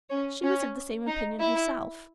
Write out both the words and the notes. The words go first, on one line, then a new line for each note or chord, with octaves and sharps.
She was of the same opinion herself.
C#4
C#4
D#4
E4